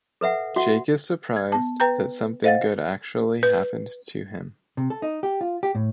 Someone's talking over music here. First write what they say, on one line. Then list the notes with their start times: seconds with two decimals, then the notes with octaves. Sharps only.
Jake is surprised that something good actually happened to him.
0.21 A4 B4 E5 F#5
0.56 F#4 E5 F#5
1.36 G#6
1.52 B3 A5
1.80 B4 G5 A#5 G6
2.44 C5 D#5 F5 F#5 A6
3.43 B4
4.77 C3
4.90 A4
5.02 D#4
5.23 G4
5.41 F4
5.63 G4
5.75 A2